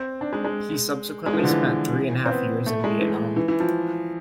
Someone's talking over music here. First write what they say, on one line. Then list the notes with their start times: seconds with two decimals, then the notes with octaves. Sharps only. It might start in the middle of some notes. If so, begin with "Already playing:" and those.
He subsequently spent three and a half years in Vietnam.
Already playing: C4
0.21 D4
0.33 G#3
0.44 G#3
1.26 G#3
1.33 E3
1.38 F3
1.44 D3
1.50 E3
2.26 C4
2.31 B3
2.66 A3
2.84 G#3
3.01 E3
3.36 E3
3.48 E3
3.60 F3